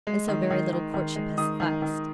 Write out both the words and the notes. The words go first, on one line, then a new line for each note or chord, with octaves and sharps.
And so very little courtship has sufficed.
G#3
D#3
D#3
D#3
D#3
G#3
D#3 D#6
D#3
D#3